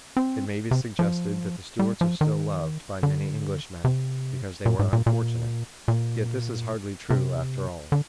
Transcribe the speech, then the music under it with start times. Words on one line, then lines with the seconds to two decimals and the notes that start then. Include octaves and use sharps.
It may be suggested that the Stuarts are still loved by many Englishmen because they were unfortunate; yet this is hardly true, after all.
0.17 C4
0.71 C3
0.99 F3
1.79 G3
2.01 F3
2.21 D#3
3.03 D3
3.85 C3
4.66 A#2
4.79 G#2
4.93 A#2
5.06 A#2
5.88 A#2
7.10 C3
7.92 D3